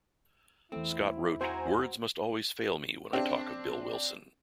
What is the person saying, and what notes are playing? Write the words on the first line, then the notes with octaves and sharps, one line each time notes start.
Scott wrote Words must always fail me when I talk of Bill Wilson.
E2 A3 C4 E4
C4 F#4 C5 G#5 A#5
C#3 C4 D4 G4 E5